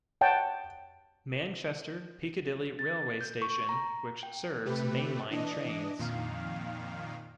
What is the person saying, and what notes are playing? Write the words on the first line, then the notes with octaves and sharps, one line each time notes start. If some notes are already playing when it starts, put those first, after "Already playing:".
Manchester Piccadilly railway station, which serves mainline trains.
C#5 F#5 G5 A5
A6
G6
C#6
A#5
G5
C3 A3 G4 B4
E3 D4 D#5
F2 A#2 D#3 F5